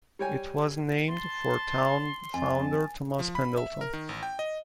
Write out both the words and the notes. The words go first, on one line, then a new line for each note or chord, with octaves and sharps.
It was named for town founder Thomas Pendleton.
G3 C#5 G5 G#5
A5 C6
F2 G#5 A5
F3
B5
E5
A#4
D#3
A1
G5
D#5